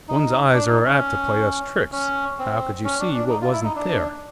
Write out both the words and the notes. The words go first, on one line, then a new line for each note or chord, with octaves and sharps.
'One's eyes are apt to play us tricks;--how could you see what wasn't there?'
D#4
D4
D#4
C#4
C#4
C4
C#4
D4
D4
D#4
F4
E4
D#4
D4